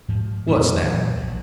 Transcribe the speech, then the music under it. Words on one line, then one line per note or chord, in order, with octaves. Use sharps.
"What's that?"
G#2 F3
F2 A#2 G3 B3
A#2 E3 F#3 G#3
A#1